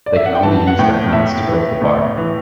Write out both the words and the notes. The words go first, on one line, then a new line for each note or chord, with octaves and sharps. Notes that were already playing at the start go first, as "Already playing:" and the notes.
They can only use their hands to grip the bar.
D5
E5
F#5
G5
E3 A5
F#5
A2 G5
A2 E5
E3
A2
E3